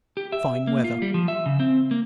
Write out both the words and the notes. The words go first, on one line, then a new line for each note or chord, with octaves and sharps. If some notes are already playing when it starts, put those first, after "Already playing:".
Fine weather.
G4
E5
A#3
F4
G3
F3
E5
C#3
C4
A#3